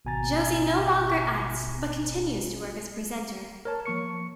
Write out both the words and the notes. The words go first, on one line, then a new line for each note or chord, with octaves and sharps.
Josie no longer acts but continues to work as a presenter.
G#1 B2 G#5 A#5 A6
A#4 C#5 A5
F3 A#3 C#6 C#7